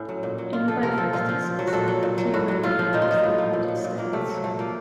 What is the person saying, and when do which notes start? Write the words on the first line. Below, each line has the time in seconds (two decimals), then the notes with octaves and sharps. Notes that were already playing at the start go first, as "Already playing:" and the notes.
In both instances, the team they beat was the United States.
Already playing: A2 C#4
0.09 F#3
0.23 A#2
0.38 F#3
0.53 A#2 F4
0.68 F3 A4
0.83 C3 A#4
0.98 F3 A4
1.13 A#2 F4
1.29 F3
1.43 A#2
1.59 F#3
1.67 F#4
1.73 A#2 A4
1.88 F#3
2.03 A#2
2.18 F#3
2.34 A2 F#4
2.48 F#3
2.63 A2 F4
2.79 F3
2.93 A#2 D#4
3.02 F4
3.08 F#3 D#4
3.23 A2
3.38 F3
3.53 A#2
3.68 F#3
3.84 A#2
3.98 F#3 A#3
4.13 C3 A3
4.29 F#3
4.44 A#2 A3
4.59 F3 A#3